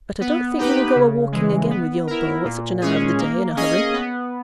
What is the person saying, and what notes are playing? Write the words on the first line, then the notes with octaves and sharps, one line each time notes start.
But I don't think you will go a-walking again with your beau, at such an hour of the day, in a hurry.
B3
D#4 G4 B4
C#3
E3 G#3
B3
E4 A#4
A#2
G#3 C#4 G#4
A#3
C#4 G#4 D#5
B3